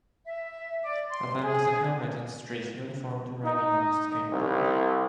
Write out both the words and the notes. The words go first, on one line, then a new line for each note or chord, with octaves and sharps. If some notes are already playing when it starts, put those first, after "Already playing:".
A man with a helmet and street uniformed riding on a skateboard.
E5
D5
C6
G#4
D#4
C2